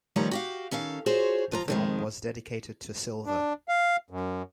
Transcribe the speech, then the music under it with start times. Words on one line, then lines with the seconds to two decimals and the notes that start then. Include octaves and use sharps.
The film was dedicated to Silva.
0.16 D#3 F3 G3 A3 C#5 A#5
0.31 F#4 G4 F5
0.71 D#3 C#4 A4 F5
1.06 F4 F#4 G#4 C5 C#5
1.52 F3 F4 A#5
1.68 F2 D#3 G#3
3.26 D4
3.68 F5
4.11 F#2